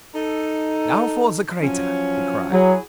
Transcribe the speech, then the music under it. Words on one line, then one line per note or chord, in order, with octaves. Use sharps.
"Now for the crater!" he cried.
D#4 A4
F3 F#3 C#4
F#3 E4 F#4 G#4